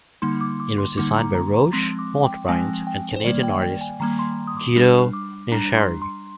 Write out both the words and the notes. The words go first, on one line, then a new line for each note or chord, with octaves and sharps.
It was designed by Roch Montbriant and Canadian artist Guido Nincheri.
D3 G3 A#3 D#4 C6
D6
D6
C6
D3 G3 A#3 D#4 D6
A#5
A#5
A#5
F3 G#3 C4 C6
D6
G5
F3 G#3 C4 G#5
G5
C5
D#3 G3 A#3 D5
G5
G5
G#5
D#3 G3 A#3 A#5
C6
D#6
D6
G3 D4
D6
G3 D4 A#5
C6
C6